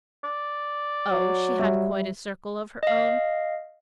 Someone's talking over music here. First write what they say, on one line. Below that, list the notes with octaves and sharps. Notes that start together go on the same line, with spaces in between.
Oh, she had quite a circle of her own.
D5
F#3
G3 E5
D#5 F5